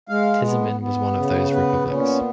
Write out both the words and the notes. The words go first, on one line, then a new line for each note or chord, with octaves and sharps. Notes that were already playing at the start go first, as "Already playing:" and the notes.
Tizimin was one of those republics.
G#3 F5
B3
B3
C#3
B3 B4
A#2 C#4